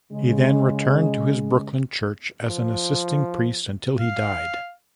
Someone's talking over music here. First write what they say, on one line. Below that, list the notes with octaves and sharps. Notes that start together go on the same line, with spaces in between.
He then returned to his Brooklyn church as an assisting priest until he died.
C#3 G#3
F3
F5